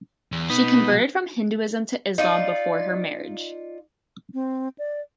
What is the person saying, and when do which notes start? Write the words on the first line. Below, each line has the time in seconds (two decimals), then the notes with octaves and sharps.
She converted from Hinduism to Islam before her marriage.
0.32 E2
0.50 B2 B3 D#4 B4
0.91 F#3
2.18 D#4 F4 D5
4.34 C4
4.78 D5